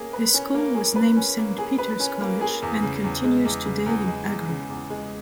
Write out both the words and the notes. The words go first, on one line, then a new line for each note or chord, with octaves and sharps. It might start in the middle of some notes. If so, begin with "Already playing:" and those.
This school was named Saint Peter's College and continues today in Agra.
Already playing: A#3 C#4 G#4
B4
C#4
A#3
G#4
B4
C#4
A#3
G#4
B4
C#4
A#3
G#4
E2
C#3
E2
G#3
E2
C#3
E2
G#3
E2
C#3
E2
G#3